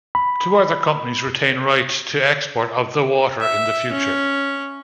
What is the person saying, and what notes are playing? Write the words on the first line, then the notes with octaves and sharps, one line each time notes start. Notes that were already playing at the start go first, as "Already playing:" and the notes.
Two other companies retain rights to export of the water in the future.
B5
E5
C#4